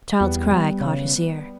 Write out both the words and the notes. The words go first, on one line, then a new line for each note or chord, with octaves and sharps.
A child's cry caught his ear.
E2 G3 B3
G3
C#3